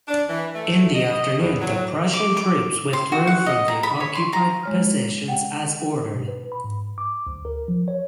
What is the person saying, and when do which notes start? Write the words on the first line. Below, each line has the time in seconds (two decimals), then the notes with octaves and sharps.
In the afternoon the Prussian troops withdrew from the occupied positions as ordered.
0.08 D4
0.29 E3
0.55 A3
0.95 D#5
1.38 E2
1.61 F#3
2.13 D6
2.37 D6
2.93 C6
3.12 F#4
3.27 F#5
3.46 D#5
3.68 A#5
3.83 B5
4.00 C#5
4.15 C6
4.33 A#5
4.63 G#3 C#5 F6
5.28 F#5 G5
6.14 B2
6.28 B4
6.52 B5
6.64 G#2
6.98 D6
7.27 D2
7.45 A#4
7.68 F3
7.88 C#5